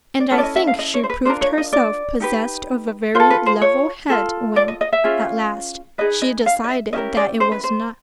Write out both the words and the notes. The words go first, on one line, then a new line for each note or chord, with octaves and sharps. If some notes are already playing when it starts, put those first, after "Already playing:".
And I think she proved herself possessed of a very "level head" when, at last, she decided that it was not.
D5
C#4 E4 A4 C#5
D5
D#5
E5
F5
D#5
C#5
C5
B4
D4 F4 A#4 C5
C#5
D#5
D5
D#4 G4 B4
F4 C5
A4
B4
C5
C#5
F4 A4
D5
D#5
D#5
E5
C#4 F4 G#4
D#4 G#4 B4 D#5
D#5
F5
D#5
E5
C#4 E4 G4 A#4 D#5
D5
C5
B4
C5